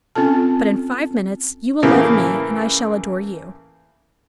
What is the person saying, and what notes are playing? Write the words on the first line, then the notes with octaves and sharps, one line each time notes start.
But, in five minutes, you will love me, and I shall adore you.
C4 C#4 F4 A4 A5
A2 C#3 E3 A#3